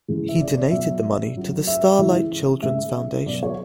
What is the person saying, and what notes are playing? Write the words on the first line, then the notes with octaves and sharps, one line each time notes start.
He donated the money to the Starlight Children's Foundation.
C#3 E3 G#3
E5
D5
D5
B2 F#3 E5
C#3 F#3
E5
C#3 E3 G#3
C#3 G#3 E5
B2 F#3 D5
C#5